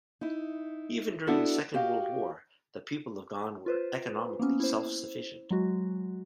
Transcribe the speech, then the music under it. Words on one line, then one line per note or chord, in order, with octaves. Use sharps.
Even during the Second World War, the people of Gan were economically self-sufficient.
D#4 E4
B3 D4 E4 F#4 A4 B4
F#4 G4 D#5 F5 G5
F4 B4 C5
A#3 B3 C#4
E4 C5
F#3 G#3 F#4